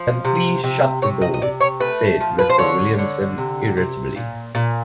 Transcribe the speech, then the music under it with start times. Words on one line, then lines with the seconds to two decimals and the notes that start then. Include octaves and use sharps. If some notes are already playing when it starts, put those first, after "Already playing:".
And "Please shut that door," said Mr. Williamson, irritably.
Already playing: F3
0.25 C3
0.64 C3
1.02 C3 C#5
1.22 D#5
1.34 D#5
1.42 C3 D5
1.61 C#5
1.80 A3 B4
2.20 F3
2.39 B4
2.50 C5
2.58 D3 C#5
2.99 D3
3.38 C3
3.77 C3
4.16 A#2
4.55 A#2